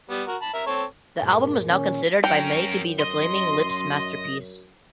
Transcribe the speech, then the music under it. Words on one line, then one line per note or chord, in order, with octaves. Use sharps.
The album is now considered by many to be the Flaming Lips's masterpiece.
G3 B3
F#4 A#4
A5 B5
A#4 E5
C4 A4 C#5
G2 A#2 G#3
D#3 C#4
F#2 C#4 A#4 G5
D#5 C6